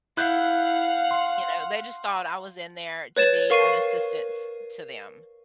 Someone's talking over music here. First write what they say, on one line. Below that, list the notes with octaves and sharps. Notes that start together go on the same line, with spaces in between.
You know, they just thought I was in there to be an assistance to them,
E4 F5 F#5 F#6 G6
C6
B4 C#5 A6 E7
A#4 F5 C#6 C7 D#7